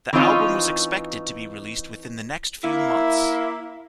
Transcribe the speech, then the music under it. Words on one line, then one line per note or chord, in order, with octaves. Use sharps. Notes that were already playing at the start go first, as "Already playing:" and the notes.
The album was expected to be released within the next few months.
E3 C4 C#4 D#4 F4 C#5
A#3 E4